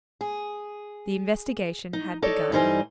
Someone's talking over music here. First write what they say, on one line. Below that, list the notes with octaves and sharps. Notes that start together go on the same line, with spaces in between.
The investigation had begun.
G#4
D#4
D#4 A4 C#5 D5
G2 E3 G3 D#4 C5 G#5